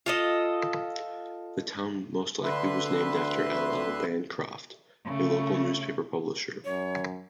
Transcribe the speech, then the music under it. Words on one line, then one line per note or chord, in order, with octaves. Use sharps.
The town most likely was named after L. L. Bancroft, a local newspaper publisher.
F4 A4 D#5
D2 D3 B4 E5 C6
C#3 A3
F#2 C#5